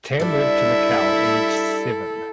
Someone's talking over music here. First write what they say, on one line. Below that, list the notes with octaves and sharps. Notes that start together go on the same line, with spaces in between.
Tam moved to Macau aged seven.
G3 D4 E4 A4 E5